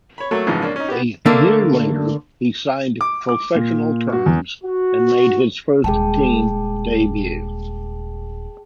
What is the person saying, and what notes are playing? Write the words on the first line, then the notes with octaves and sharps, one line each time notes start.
A year later, he signed professional terms and made his first team debut.
C#5 B5
F#3 A3 A#3 A4 C#5
A#1 G#2 C#3 E3 F3
A#3 C#4 D4
C#4 D#4
B3 G4
D3 A3 A#3 D4
D6
D6
A#2
F#4
E2
F#4
D#1 G#3 G#4 G5 A5